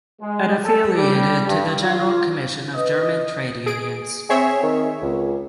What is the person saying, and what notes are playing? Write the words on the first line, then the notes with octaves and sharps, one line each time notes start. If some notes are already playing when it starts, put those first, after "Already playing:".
It affiliated to the General Commission of German Trade Unions.
G#3
A4
G3
G2
F4
B4 D#5
G#4 D7
C4 G#4 C#5 E5
D#3
C#2